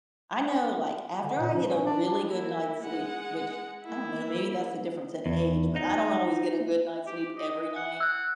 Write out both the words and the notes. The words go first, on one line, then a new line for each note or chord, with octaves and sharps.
I know, like, after I get a really good night's sleep, which I don't know, maybe that's the difference in age, but I don't always get a good night's sleep every night,
D3
A#2
F3
C#4
D4
A#3 E4
G#3 F#5
A#3 E4
E2
D#4
G4
D#5
F#5
E6 F#6